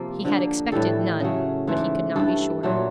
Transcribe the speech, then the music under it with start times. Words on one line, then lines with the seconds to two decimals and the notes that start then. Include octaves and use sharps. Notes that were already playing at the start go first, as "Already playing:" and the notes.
He had expected none, but he could not be sure.
Already playing: C3 F3 A#3
0.25 D3 F3 A#3
0.72 A2 E3 G3 A4
1.20 C#3 F#3 A3
1.67 G#2 E3 A3
2.16 G2 E3 A3 A4
2.63 A#2 F#3 A3